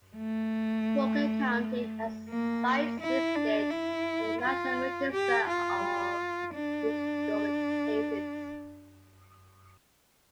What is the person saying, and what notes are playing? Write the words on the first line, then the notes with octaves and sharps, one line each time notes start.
Walker County has sites listed on the National Register of Historic Places.
A3
A#3
E4
D4
E4
F4
G4
F4
D4